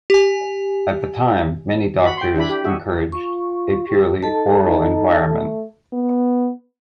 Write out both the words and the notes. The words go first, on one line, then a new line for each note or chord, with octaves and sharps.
At the time, many doctors encouraged a purely oral environment.
G4 G#5
F#4 B5
G5 C6
D4 E4 B5
G4
F#4 G#4 E5
F4 C#6
G4
D#4 A4 A5
D#4
A3
B3